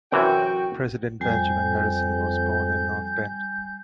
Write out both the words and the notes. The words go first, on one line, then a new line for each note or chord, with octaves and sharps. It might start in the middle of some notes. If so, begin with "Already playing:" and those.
President Benjamin Harrison was born in North Bend.
F#2 C3 E3 F#3 F#4 G5
F2 G3 G#5 G6